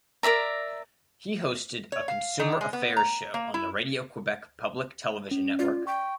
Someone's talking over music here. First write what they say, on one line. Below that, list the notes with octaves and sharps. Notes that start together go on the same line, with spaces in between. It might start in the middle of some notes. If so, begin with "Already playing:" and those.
He hosted a consumer affairs show on the Radio-Quebec public television network.
A#4 D5 E5 A#5
C#5
F5
D#3
G#3
B3
A#5
A#3
E4
C#4
F4 D5
G5 C#6